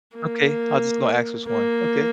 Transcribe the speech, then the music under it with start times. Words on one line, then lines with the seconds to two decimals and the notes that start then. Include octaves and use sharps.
Okay, I was just gonna ask which one, okay.
0.15 A#3
1.47 A#3